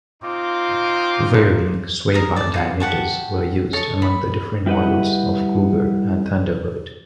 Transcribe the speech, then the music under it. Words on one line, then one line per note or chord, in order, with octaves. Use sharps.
Varying sway bar diameters were used among the different models of Cougar and Thunderbird.
C4 D#4 F4 C6 D6
A#4 D#6
D5 A5
D#4 F4 F#4
G4 F#5 A5 C#6
A4 C#5 D#5
B5
G3 E4 G4 B4 D#5 F#5